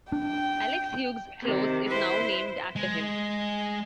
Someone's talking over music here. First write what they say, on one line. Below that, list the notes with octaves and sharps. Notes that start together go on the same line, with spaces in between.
Alex Hughes Close is now named after him.
D4 G5
C3 D#3
E4 B4 C5
G#3